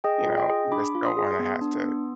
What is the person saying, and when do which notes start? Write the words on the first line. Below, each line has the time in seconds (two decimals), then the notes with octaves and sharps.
you know, you just don't wanna have to
0.04 G#4 D#5 G5
0.26 F4
0.37 D#5 G5
0.49 G#4
0.71 D4 B5 D6
0.95 F4
1.05 C6 D#6
1.17 G#4
1.39 B3
1.61 D4
1.84 B3